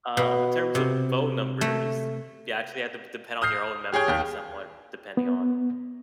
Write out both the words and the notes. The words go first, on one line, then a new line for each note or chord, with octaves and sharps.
Um, in terms of phone numbers, you actually had to d depend on your own memory somewhat, depending on
B2
C3
A3
D#6 F6 G6 C7
G4 G#4 C#5 G5
D#2 G5
B3